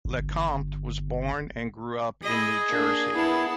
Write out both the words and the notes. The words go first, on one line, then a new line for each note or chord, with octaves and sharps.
LeCompte was born and grew up in New Jersey.
G1
E4 G#4 D#5
A#3 D4
B3 E4 A5